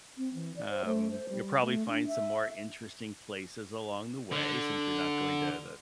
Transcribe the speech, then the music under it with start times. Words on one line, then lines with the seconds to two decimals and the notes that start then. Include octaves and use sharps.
Um, you'll probably find some more interesting places along the way since you're not going to the
0.17 C4
0.34 E3
0.56 D5
0.70 C5
0.85 A3
1.11 C5
1.29 G3
1.62 A3
1.88 D4
2.07 E5
4.32 D3